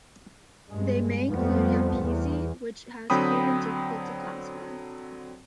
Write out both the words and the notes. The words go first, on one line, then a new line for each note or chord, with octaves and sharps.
They may include Yapese, which has proven difficult to classify.
G2 G#3
F2 F3 G3 A3 B3 C4
E2
D3 F#3 C4 G5 B5 D#6